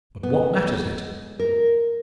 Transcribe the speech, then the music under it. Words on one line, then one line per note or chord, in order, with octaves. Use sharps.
But what matters it?
B3
G#3
A#4